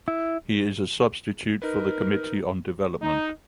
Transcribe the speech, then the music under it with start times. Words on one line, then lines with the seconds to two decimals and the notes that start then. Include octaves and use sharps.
He is a substitute for the Committee on Development.
0.08 E4
1.62 D#4 A#4 B4
3.02 D#4